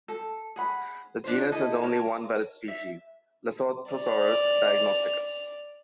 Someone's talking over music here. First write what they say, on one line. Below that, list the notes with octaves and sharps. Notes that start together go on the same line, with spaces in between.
The genus has only one valid species, Lesothosaurus diagnosticus.
A4
G#4 F#5 B5
D4 F4 C5
D#4 E4 A4 D#5
A#4 C#5 A5
E5
D5 F7